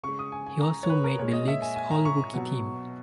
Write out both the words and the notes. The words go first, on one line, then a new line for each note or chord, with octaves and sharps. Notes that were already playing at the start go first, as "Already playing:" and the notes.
He also made the league's all-rookie team.
C#3 G#3 C#6
D#6
G#5
G#5
A#5
C#5
B4
A#4
A#2 G#3 C#5
D#5
E5
G#5
G#5
A#5
C#6
B2 F#3